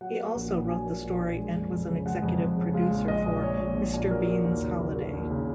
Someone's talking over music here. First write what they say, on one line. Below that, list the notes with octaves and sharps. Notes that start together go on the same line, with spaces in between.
He also wrote the story and was an executive producer for "Mr. Bean's Holiday".
F#3 F#5
A#3
A#1
A#2
F#3 G#5
A#3
A#1
A#2
G#3
F2
F2
C#3
G#3 F#5
F2
F2
C#3
G#3 F5
A#1
A#1 D#5
A#2
G#3 C#5
A#1
A#1
A#2
F#3 A#4
A#3
D#2
C#3
F#3
A#3
D#2
C#3